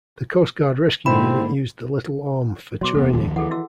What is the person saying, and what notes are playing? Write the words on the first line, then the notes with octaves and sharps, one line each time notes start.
The Coast Guard Rescue Unit use the Little Orme for training.
G#2 D3 A#3 C4 E4 C5 B5
B2 F#3 C#5 C6 D6
E1 D2 F#3 B3 A4
D2 D#3 F3
E3 G#4 A4 F#5
E4 F#4 E6